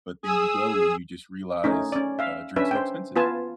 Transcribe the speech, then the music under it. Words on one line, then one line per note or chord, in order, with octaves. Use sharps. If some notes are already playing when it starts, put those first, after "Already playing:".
but then you go and you just realize, uh, drinks are expensive,
G#4 D#6 E6
A3 C#4 D#4
C#4 D5
E5 F5
C#4 D4 B4 E5
C5 G5
B3 F4 B4 G#5 A5